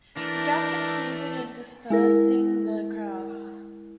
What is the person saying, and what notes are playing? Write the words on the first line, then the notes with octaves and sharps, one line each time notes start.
The gas succeeded in dispersing the crowds.
E3 A3 D4 A#4
G#3 E4 A#4